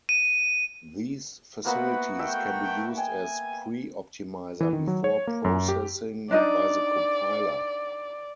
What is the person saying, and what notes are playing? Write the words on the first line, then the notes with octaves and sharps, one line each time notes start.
These facilities can be used as pre-optimizer before processing by the compiler.
D#7
A#3 B3 F#4 B4 C5 E5 B5
A3 E5 G5
G5 G#5
E3
D#3
F#3
C#5
A#3
F#2
G4
D4 D#4 D5 D#5